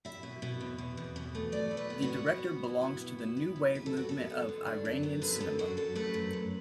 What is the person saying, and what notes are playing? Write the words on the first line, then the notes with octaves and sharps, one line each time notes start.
The director belongs to the new wave movement of Iranian cinema.
E4 E5
B2
B2
E2
B2
E2
B2
A3
B2 D5
E4
B4
B3
F#4
B2
B3
B3
E4
B3
B2
E4
B3
E4
E4 B4
A4
B3 F#4
B3 A4
B3
D3
D4
F#2
B3
D3 B4
F#2 A4
F#2 F#4
F#2 A4
A3 B4
F#2
F#2